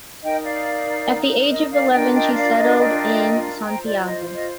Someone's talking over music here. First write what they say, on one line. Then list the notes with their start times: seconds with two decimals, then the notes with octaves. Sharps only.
At the age of eleven she settled in Santiago.
0.22 D#4 A#4 D#5 G5
0.43 D5 F5
1.49 D#5
1.70 D5 F5
1.92 D4 F4 A#4 D#5 G5
2.13 D#5 G5
2.34 D5 F5
2.56 D#5
2.77 D#5 G5
3.62 F4 C5 G5 A#5
3.84 D5
4.05 D#5
4.33 D#5